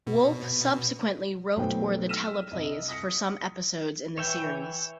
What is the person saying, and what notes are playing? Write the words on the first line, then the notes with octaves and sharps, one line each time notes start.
Wolfe subsequently wrote or the teleplays for some episodes in the series.
B2
B1 F#3 A3 B3 C5 G5
E6 F6 A#6 B6 D#7 E7
C2 D#5
D#6 A#6 B6 C#7
E3 C#5 E5 G5